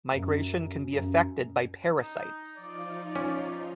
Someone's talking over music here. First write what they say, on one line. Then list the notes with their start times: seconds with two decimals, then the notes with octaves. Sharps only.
Migration can be affected by parasites.
0.13 F#2
0.93 F#2
2.01 D#4
2.57 F3 D#4 F4 D5
3.15 C#4